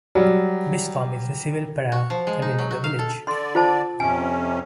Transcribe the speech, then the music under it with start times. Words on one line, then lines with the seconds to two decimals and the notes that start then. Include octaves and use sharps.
Bispham is the civil parish containing the village.
0.15 F#3 G3
1.92 F#4
2.10 F3
2.27 G#3
2.42 D#4
2.58 F#3
2.71 F#4
2.84 F5
2.99 A4
3.27 D3 D5 C6
3.55 F4 C5 A5
4.00 F2 C3 C#4 G#5